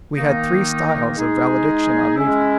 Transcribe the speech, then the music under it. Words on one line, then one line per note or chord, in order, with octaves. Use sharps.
We had three styles of valediction on leaving.
D#3 A#3 D#4
G#3 D#4 G#4
G#3 C#4 E4